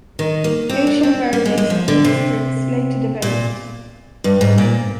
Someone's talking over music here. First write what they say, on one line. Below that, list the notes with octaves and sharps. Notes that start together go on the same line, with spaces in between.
Asian varieties of these scripts later developed.
D#3
A#3
C4
D4
C4
A#3
G#3
G#3
F3
D3
C3
A#2
G2
G#2
A#2